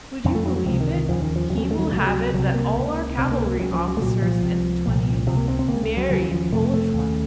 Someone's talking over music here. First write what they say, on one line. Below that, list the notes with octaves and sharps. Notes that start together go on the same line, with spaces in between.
Would you believe it, he will have it that all our cavalry officers in the twenties married Polish women.
F2 C#3 C4
A3
F#3
F#3
C#2 C3 F3
D#3
D#3
D#2 C#3 F3
D#3
F3
D#2 C#3 F#3 A3
F#3
A3
F#3
A3
C#2 C3 F#3
A3
F#3
C2 C3 F#3
A#3
C#2 C#3
C#2 C3 C4
A#3
A#3
C#2 C#3 F#3
F3
F#3
A3
C2 A#2 F#3
F3
C#2 C3
C2 A#2
C#2 C3 F3
A#3
C4
C4
C#2 C#3 A#3
A3
F#3
D#2 C#3 F#3
F3
F2 C3 A3
A3
D#2
C#3